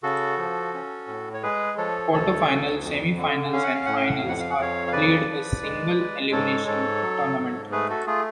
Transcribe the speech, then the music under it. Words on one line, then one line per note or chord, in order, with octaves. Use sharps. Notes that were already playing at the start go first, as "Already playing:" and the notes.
Quarter-finals, Semi-finals and Finals are played a single-elimination tournament.
C#3 F#4 A4
F3
C#4
A2
C#5
G#3 G#4 B4
F3 A4 C#5
D2 A4 C#5
D2
F2
D3
C#4 F5
F#5
F5
A2 F#5
F5
F#5
F2 F5
F#5
F5
F#5
F2 C#5 F5
F5
C#3 B4 D5
F3
G#3
G#3
G#2 A4 C#5
G#2 A4 C#5
F#3
G#2
A3 G#4 B4
F#4 A4
A3 F4 G#4